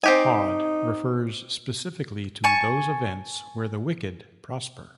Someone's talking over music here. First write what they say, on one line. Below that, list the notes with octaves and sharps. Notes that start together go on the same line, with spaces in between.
Hod refers specifically to those events where the wicked prosper.
C4 D#4 G4 G#5
G#5 A5 C#6